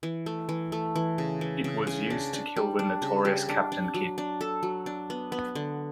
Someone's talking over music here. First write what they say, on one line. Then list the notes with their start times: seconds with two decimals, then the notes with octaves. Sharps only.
It was used to kill the notorious Captain Kidd.
0.03 E3
0.26 A3
0.49 E3
0.72 A3
0.96 E3
1.18 C#3
1.41 E3
1.64 C#3
1.87 C#3
2.10 D4
2.33 D4
2.56 G3
2.79 D4
3.02 C#3
3.25 G3
3.49 D4
3.72 D4
3.94 F#3
4.18 D4
4.41 A4
4.63 F#3
4.86 D4
5.10 B3
5.32 B3
5.55 D3